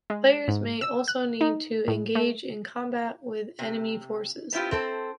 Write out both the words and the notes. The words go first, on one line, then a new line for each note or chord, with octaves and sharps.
Players may also need to engage in combat with enemy forces.
G#3
G#2
E6
F#6
D#4
A2
A3
C3
B3 C4 E4 F4 G4
C4 A4 C5